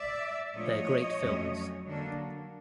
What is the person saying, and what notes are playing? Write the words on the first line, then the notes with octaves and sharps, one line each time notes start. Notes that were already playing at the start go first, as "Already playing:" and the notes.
They're great films.
Already playing: D5 E5
A#2 F3 A3 D4 C#5 D#5
F2 D3 F#3 A3 C#4
D3 F#3 A#3 D4